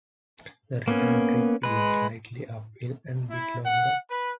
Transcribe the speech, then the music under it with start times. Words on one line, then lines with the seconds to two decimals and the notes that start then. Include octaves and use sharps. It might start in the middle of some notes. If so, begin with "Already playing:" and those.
The return trip is slightly uphill and a bit longer.
0.88 A#3 B3 C#4
1.63 G#3 B4
3.29 E4
3.65 F#5
4.08 B4